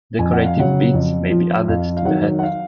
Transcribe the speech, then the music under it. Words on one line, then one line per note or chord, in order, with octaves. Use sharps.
Decorative beads may be added to the head.
F2 G#5
F#5
F5
C#3 F#3 F#5
F2
F3
F2 F5
F5
D#3 F#3 F#5
F#5
F5